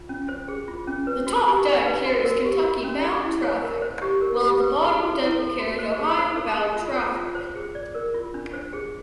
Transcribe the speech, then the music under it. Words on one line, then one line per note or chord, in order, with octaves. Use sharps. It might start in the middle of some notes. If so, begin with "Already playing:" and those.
The top deck carries Kentucky-bound traffic while the bottom deck carries Ohio-bound traffic.
Already playing: F4
C#4
C5
G#4
F4
C#4
B4
F#4
G4
D#4
B4
F#4
A#4
G4
F#4
C#4
A4
E4
C#5
A#4
C5
G4
A#4
G4
B4
G#4
A4
E4
A4
F#4
C5
G#4
C5
A4
G#4
F4
A4
F4
C5
G#4
D5
A#4
F4
D4
C5
G#4